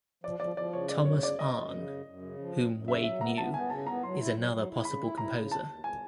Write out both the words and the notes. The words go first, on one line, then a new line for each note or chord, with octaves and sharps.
Thomas Arne, whom Wade knew, is another possible composer.
F3 D5
F3 D5
F3 D5
C#3 C#5
F#2 D5
C#3 C#5
F#2 D5
F#2 D#5
F#2
C#3
F#2
F#2
C#3
F3
F#2
F#2
C#3 E5
F#3 E5
B3 A#5
B3 A5
B3 G#5
C#3 A5
B3 A#5
F#3 C6
E4
F#3
F#3
E4
C#3 B5
E4
E4 A#5
C#3
D#2 A5
D#2
G#5